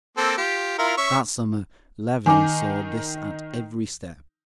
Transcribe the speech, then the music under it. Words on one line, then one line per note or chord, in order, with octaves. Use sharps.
That summer Levin saw this at every step.
A#3 C4 A4
F4 G4
E4 F4 A#4
C#4 E5 C#6
D#3 D#4 G#5 D6